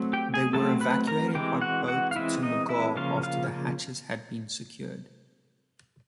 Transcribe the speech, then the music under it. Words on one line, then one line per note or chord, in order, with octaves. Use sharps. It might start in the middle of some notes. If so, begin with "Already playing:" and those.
They were evacuated by boat to "McGaw" after the hatches had been secured.
Already playing: F#3 A3 C4
G4 G5
G#4 G#5
F#3 A3 C4 A4 A5
B4 B5
A#4 A#5
E3 G#3 C4 G4 G5
F#4 F#5
F#4 F#5
F5
E3 G#3 C4 E4 E5
D#4 D#5
E4 E5
C#3 F3 A#3 C#4 F4 F5
F4 F5